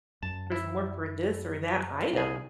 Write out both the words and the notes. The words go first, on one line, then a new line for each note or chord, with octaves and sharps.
more for this or that item."
F#2 A5
E4
C2 G#4